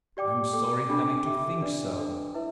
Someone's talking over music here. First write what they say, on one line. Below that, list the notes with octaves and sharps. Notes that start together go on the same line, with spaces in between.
I'm sorry having to think so.
G4 D5 G5 D6
A4 G5 D6
D4 A4 G5 B5 D6
G4 E5 G5 D6
D4 B4 D5
D4 A4 G5
E4 B4 E5